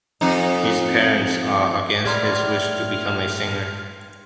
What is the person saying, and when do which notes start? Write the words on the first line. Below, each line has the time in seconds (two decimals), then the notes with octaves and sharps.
His parents are against his wish to become a singer.
0.21 F2 D#4
2.05 A2 G3 B3 A#5 C6 F6 G#6